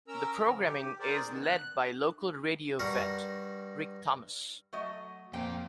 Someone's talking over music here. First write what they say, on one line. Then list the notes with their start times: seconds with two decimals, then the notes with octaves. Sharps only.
The programming is led by local radio vet Rick Thomas.
0.08 C#4 A#4 A#5 E6
0.46 C#3 F3
0.63 G4
1.00 G#4 A#4 C5 D5
1.27 D#3 B3 C4
1.43 F#6
2.79 G2 F#4 A#4
4.73 F#3 A3 D#5
5.33 F2 A#2 A#3 C4 G5